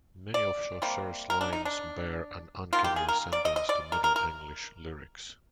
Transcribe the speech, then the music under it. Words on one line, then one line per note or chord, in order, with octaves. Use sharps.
Many of Chaucer's lines bear an uncanny resemblance to Middle English Lyrics.
D5
C3 G3 A#3
A#4
D4
D#4
D4
D#3 A#3 F4
G4
G#4
A#4
D5
D#5
D#5
D5
A#4
A#4
A#4